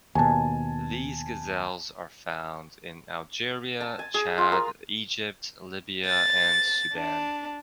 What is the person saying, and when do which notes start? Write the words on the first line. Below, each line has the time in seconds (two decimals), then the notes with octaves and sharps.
These gazelles are found in Algeria, Chad, Egypt, Libya and Sudan.
0.15 D#2 B2 G#5 A5
3.81 A5
3.99 G#5
4.14 G#4
4.38 F4
4.52 A#4
6.06 A6
6.94 D4